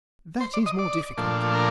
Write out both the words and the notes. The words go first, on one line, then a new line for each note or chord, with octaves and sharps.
"That is more difficult."
C5
D5
D#5
D5
A#2 F3 A3 D4
A#4